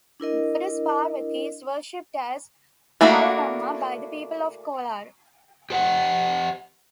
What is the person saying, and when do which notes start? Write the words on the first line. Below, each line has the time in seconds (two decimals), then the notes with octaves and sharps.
Goddess Parvathi is worshipped as Kolaramma by the people of Kolar.
0.20 D4 E4 A#4 D#5
3.01 A3 A#3 D4 E4 F#4
5.70 G4 C5 F#5 G5